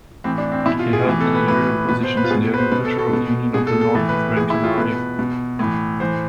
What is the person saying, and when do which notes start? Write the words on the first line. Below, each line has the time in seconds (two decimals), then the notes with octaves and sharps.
He held managerial positions in the Agricultural Union of the North of Gran Canaria.
0.24 A2 E3 C4
0.38 D4
0.52 C4
0.66 B2 E4
0.79 F4
0.93 G#4
1.06 A2 E3 G#4
1.20 A4
1.35 B4
1.47 A2 E3 B4
1.89 B2 B4
2.03 C5
2.17 B4
2.24 F4
2.30 B2 G#4
2.54 B4
2.57 C5
2.71 B2 B4
2.85 A4
2.99 A4
3.13 B2
3.54 B2 G#4
3.67 A4
3.81 A4
3.95 A2 E3 A4
4.09 B4
4.36 A2 E3 G#4
4.50 E4
4.64 F4
4.78 B2 B4
5.19 B2
5.59 A2 E3
6.00 A2 E3 C5